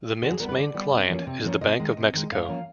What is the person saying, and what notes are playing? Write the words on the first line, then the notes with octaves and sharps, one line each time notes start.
The mint's main client is the Bank of Mexico.
D3 F#4
G#4
G3 B3 A#4
B4
D3 D5
G3 B3
C3
F3 A#3 C#4
C3
F3 A#3 C#4
C3 D#5
D#3 G#3
C3
D#3 G#3
G#2 F5
F3 A#3 C#4